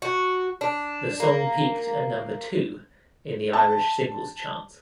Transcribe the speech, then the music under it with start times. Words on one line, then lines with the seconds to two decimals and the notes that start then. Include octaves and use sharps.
The song peaked at number two in the Irish Singles Chart.
0.02 F#4
0.61 D4
1.20 A#3
3.53 A5